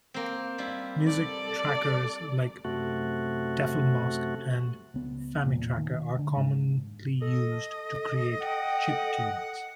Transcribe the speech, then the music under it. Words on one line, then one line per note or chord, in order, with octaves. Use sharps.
Music trackers like DefleMask and Famitracker are commonly used to create chiptunes.
A#3 C4
G3 E4 F4
A4 D5
F#2 C3 A3 F#4
C#2 B3
E2 A#2
D#3
D3
G#2
A4 D#5
F#5 G5